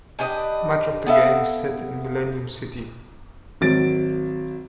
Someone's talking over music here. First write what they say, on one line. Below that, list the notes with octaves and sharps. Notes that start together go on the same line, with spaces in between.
Much of the game is set in Millennium City.
D4 G4 B4 D#5
B3 A4 E5 F5
G#1 F#3 A6 D7